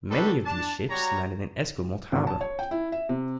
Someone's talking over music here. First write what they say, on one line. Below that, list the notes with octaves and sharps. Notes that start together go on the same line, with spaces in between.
Many of these ships landed in Esquimalt Harbour.
C4 D4 D#4 F#4 A4 B4
D4 A5
G3 F#4 C#5 A#5
G#1
A5
C#5
G5
E4
E5
C3